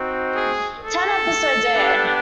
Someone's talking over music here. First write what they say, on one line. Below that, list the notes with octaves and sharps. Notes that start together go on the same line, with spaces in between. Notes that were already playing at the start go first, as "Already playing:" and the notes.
Ten episodes aired.
Already playing: C4 D#4 F#4
G#4
A4
B3 D4 G4